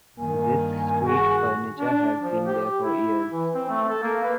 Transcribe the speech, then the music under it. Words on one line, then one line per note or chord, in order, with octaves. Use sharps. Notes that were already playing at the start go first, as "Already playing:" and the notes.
This street furniture has been there for years.
G2 D#3 A#3 G#5
F#4 G#4
D4
F3
G4
E4
E3
C4
A3
A4
A#3
B4